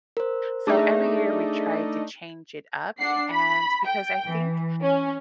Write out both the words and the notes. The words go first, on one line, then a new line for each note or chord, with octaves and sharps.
So, every year we try to change it up. And because I think
A#4 C5
A3 D4 D#4 G#4 E5
D4 F#5 C7
B5
G5
E3
C#4